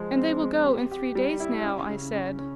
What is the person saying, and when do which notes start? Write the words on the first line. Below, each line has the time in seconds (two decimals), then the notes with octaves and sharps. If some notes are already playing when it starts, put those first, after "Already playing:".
"And they will go in three days now?" I said.
Already playing: F3 G#3
0.17 C4
0.41 G#3
0.66 G4
0.91 G4
1.15 G3
1.40 E4
1.64 C#4
1.89 C#3
2.15 C#4
2.39 C#4